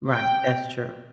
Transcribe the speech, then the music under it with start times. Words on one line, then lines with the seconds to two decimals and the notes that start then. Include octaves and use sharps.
Right. That's true.
0.11 G5